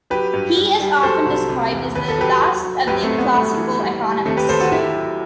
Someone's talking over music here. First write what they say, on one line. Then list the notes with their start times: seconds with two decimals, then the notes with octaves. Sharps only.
He is often described as the "last of the classical economists".
0.10 F#3 G4 B4
0.34 G2
0.57 G3
0.80 G3
1.03 F#3 A4 C5
1.26 C2
1.49 C3
1.73 E2
1.95 D#2 B4
2.08 A4
2.18 F#3 G4 B4
2.42 F#3
2.65 F#3
2.87 F#2 G4 B4
3.03 A3 C4
3.11 F#2
3.18 B3
3.33 G3 A3
3.57 E3
3.80 G3
4.03 G3
4.26 D#2 A3 C4
4.37 G4 B4
4.49 D#2 A4 C5
4.61 F#4 A4
4.72 D#2 E4 G4
4.94 F#3